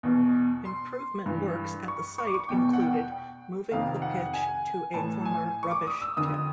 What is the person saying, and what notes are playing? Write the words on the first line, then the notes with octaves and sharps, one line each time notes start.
Improvement works at the site included moving the pitch to a former rubbish tip.
E2 B2
C6
G2 E3
C#6
C#6
D6
C#6
E2 B2 G5
F#5
G5
G5
F2 C3 D#3 F5
F#5
G#5
A2 E3 A5
G#5
C#6
D6
D#6
E6
F2 D3 D#6